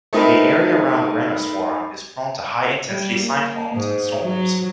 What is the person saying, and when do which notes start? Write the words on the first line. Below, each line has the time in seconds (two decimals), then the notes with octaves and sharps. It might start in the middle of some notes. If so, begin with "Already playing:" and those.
The area around Rameswaram is prone to high-intensity cyclones and storms.
0.13 A3 C4 D#4 A#4 B4
2.87 G3
3.18 A#3
3.75 G#2
4.21 F#3